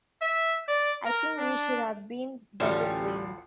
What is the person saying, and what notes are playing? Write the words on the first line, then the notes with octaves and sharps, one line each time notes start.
I think we should have been better trained.
E5
D5
A#4
D4
A1 D2 G3 C#4 F4 F#4 A4